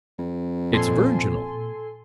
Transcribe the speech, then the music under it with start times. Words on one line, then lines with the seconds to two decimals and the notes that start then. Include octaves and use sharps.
It's virginal.
0.19 F2
0.73 A#2 A4 G#5 C6